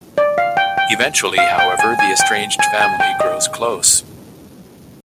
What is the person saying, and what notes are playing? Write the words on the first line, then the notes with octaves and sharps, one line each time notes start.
Eventually, however, the estranged family grows close.
D5
F5
G5
G5
F5
G5
G#5
G#5
G5
G#5
G#5
G5
D#5